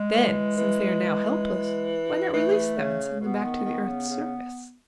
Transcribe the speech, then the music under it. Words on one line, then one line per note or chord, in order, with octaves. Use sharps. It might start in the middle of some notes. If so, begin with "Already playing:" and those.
"Then, since they are now helpless, why not release them and send them back to the earth's surface?"
Already playing: G#3
E3
E3
E3 A3
C#3
B2 B3
D#3
D#3
C#3
C#3